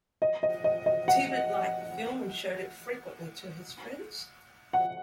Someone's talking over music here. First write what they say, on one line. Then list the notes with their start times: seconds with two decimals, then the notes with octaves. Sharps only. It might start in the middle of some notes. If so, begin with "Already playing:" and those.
Tibbett liked the film and showed it frequently to his friends.
0.22 D#5
0.43 D#5
0.64 D#5
0.86 D#5
1.08 F#5
4.73 F#5